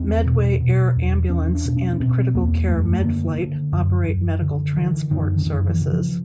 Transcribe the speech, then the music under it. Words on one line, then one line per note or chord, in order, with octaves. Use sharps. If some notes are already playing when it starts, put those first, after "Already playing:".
Medway Air Ambulance and Critical Care Medflight operate medical transport services.
Already playing: E2 C4
B2
B2
E2
E2 C#4
D4
B2 D4
C#4
C#4
B2 C4
E2 A#3
F#2 A3
A3
D3 A#3
D3
F#2
F#2
D3
D3 E3
F#2 D#3
D3
F#2 D#3
E3
C#3
F3